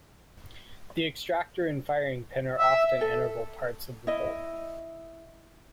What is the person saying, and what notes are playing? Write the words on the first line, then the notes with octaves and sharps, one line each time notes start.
The extractor and firing pin are often integral parts of the bolt.
E5
A4
E4 D#5